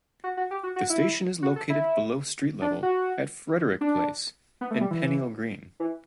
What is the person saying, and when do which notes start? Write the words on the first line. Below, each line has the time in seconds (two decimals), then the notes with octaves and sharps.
The station is located below street level at Frederick Place in Peniel Green.
0.24 F#4
0.37 F#4
0.51 G4
0.63 F#4
0.76 F#4
0.90 E4
1.43 F#4
1.56 A4
1.70 E4
2.62 D4
2.83 F#4
3.81 D4
4.61 B3
4.71 A3
4.81 G3
4.91 E3
5.80 E3